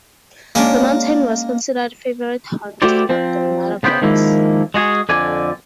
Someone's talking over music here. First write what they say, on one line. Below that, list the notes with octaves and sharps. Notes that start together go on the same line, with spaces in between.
The mountain was considered a favorite haunt of the mother goddess.
G#3 A#3 C#4 D4
A3 E4 F#4 G4 C5 D5
F3 C4 C5
C#3 B3 C5 G5 B5
D#3 F3 G#3 A#3 E4
G#3 F#4 G#4
F2 D3 D5 G#5